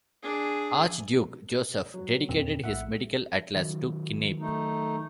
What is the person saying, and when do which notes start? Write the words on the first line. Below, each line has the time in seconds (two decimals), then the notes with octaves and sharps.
Archduke Josef dedicated his medical atlas to Kneipp.
0.23 D4 G#4
1.94 F#3
2.29 E2 A#2 C4
2.64 A#1 A2 E5 F#5
3.56 D#3 F#3
4.40 A3 D#4